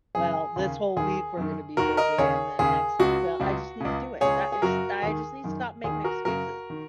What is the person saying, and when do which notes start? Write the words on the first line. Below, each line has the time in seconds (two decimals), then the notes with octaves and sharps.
Well, this whole week we're gonna be busy, and then next well, I just need to do it. That it's I just need to stop making excuses,
0.15 F#2 C#3 G#4
0.56 D#2 C#3
0.97 D#2 D#3 G#4
1.37 F#2 D#3
1.77 D#2 D#3 F#4 A#4
1.97 A#4 D#5
2.18 D#2 C#3 G#4 C#5
2.59 D#2 C#3 G#4
2.99 C#2 C#3 F#4
3.40 C#2 C#3
3.80 C#2 C#3
4.21 C#2 C#3 G#4 C#5
4.52 G#4
4.62 F#2 C#3 F#4 A#4
5.02 D#2 D#3 G#4
5.44 F#2 D#3
5.84 D#2 D#3 G#4
6.04 F#4 A#4
6.25 F#2 C#3 F#4 A#4
6.70 D#3